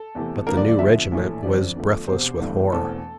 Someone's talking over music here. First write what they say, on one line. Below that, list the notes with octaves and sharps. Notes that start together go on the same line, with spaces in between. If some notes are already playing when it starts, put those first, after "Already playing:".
But the new regiment was breathless with horror.
Already playing: A4
E2 C3 E3 A3
G2 D3 F3 A#3 A#4
D5
D5
E2 D3 F3 E5
A#1 A2 E3 A3
F2 D3 F3 C4 D5
E2 D3 F3 A3
E1 E2 C3 C5
G1 G2 E3 A3
E1 E2 E3 A3 C4 A4